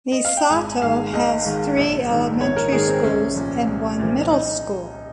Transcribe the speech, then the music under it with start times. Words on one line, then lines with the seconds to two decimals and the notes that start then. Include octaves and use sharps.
Misato has three elementary schools and one middle school.
0.12 D#5
0.25 F5
0.37 G5
0.50 G#1 G#5
0.82 G#2 D#3 F5
1.13 G#1 D#5
1.45 G#2 D#3
1.77 A#1
2.09 G#2 D#3
2.40 A#1 C#5
2.57 A#4
2.72 G#2 D#3 G#4
2.88 C4
3.04 C2 C#4
3.35 A#2 F3
3.67 C2
3.99 A#2 F3
4.31 D#4